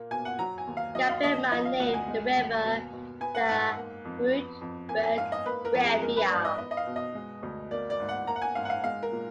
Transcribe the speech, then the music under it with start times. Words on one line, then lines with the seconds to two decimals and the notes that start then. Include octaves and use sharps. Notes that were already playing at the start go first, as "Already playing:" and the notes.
Gabbema named the river the 'Groot Berg Rivier'.
Already playing: A#2 A#3
0.11 B2 G#5
0.25 F#5
0.39 F#3 A#5
0.58 G#5
0.67 D#2
0.77 F5
0.95 F#3 D#5
1.09 F5
1.23 D#2 D#5
1.52 F3 D#5
1.65 F5
1.80 D2 F#5
1.94 G#5
2.08 G#3
2.36 D#2
2.65 B2
2.92 B2
3.20 B3 G#5
3.35 F#5
3.49 G#2 F#5
3.77 A#3
4.05 F2
4.33 B3
4.61 F2
4.89 A#3 G#5
5.03 G#5
5.17 G#2 F5
5.32 D#5
5.46 A#3 B4
5.65 A#4
5.74 F2
5.84 G#4
6.02 G#3 A#4
6.16 B4
6.30 G#2 D5
6.45 D#5
6.58 B3 D#5
6.71 D#5
6.77 F5
6.86 B2
6.96 D#5
7.15 G#3
7.43 D2
7.71 A#3 D5
7.90 D5
8.00 G#2
8.09 F#5
8.27 A#3 A#5
8.36 F#5
8.42 G#5
8.55 G#2 F5
8.65 F#5
8.70 F5
8.84 G#3 F5
9.03 A#4
9.12 A#2